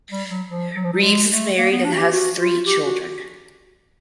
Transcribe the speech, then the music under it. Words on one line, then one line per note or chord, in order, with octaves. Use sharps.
Reeves is married and has three children.
G3
F#3
F3
F#3
F3
F#3
G#3
A3
A#3
B3
D4
F#4
G4
F#4
F4
G4
F#4